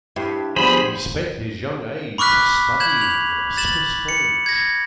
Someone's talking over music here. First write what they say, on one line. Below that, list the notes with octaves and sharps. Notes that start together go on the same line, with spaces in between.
He spent his young age studying in a Swiss college.
G2 E4 G4
F3 G3 B3 G#4 C5 B5
B5 C#6 D6 F6 F#6 B6
G6 G#6 E7 F#7
F7
A6 E7 F#7
C#7
G#6 A#6